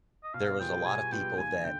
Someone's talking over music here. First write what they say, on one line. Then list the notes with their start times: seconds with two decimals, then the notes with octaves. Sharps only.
there was a lot of people that
0.24 D#5
0.34 B2 F5
0.60 G3 B3 F4 G#4 G5
0.86 B2 G#5
1.12 G3 B3 F4 G#4 G5
1.38 D#2 G#5
1.64 D3 G5